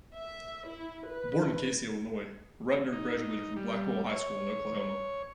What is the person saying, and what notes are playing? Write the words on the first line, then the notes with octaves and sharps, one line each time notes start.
Born in Casey, Illinois, Ratner graduated from Blackwell High School in Oklahoma.
E5
E4
B4
D#4
G3
C#5